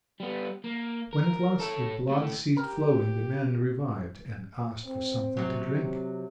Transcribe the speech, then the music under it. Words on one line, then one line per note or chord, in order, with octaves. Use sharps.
When at last the blood ceased flowing, the man revived and asked for something to drink.
G3 B3
A#3
A#4
A4 C#5
A2 A3
G4 A#4
C4
C3 F#3